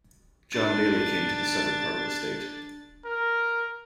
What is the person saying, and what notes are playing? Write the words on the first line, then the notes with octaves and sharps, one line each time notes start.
John Daley came to the southern part of the state.
D4 A6
A#4